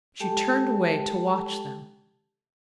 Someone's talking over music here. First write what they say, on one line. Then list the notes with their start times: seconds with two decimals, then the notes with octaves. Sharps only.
She turned away to watch them.
0.20 G#3 G4 A4 G5 A5